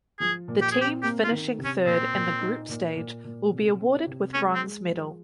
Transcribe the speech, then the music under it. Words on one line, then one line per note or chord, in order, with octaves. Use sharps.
The team finishing third in the Group Stage will be awarded with bronze medal.
F3 G#4
A#2
G4
C4 G#4
G4
A#3 G4
F4
D#3
C3
C#4
A#2 C4
A#2
D#4
A#2
A#2
A#2
C3
C4
C3
G#3 C#4
C4
G#3
F3